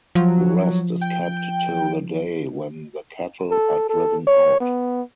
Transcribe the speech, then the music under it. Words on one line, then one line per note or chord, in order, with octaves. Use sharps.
The rest is kept till the day when the cattle are driven out.
F3 F#3
G5
A4
A4
C#5
B3